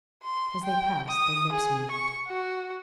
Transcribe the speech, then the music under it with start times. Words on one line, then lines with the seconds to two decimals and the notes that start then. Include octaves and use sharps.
As they passed their lips moved.
0.24 C6
0.64 G5
1.09 D#6
1.53 G#4
1.91 C#6
2.27 F#4